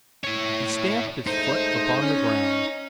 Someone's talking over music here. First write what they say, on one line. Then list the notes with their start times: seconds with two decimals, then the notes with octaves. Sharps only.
He stamped his foot upon the ground.
0.24 E4 C#5
1.27 G#2 A3 D#4 C5
2.02 C#4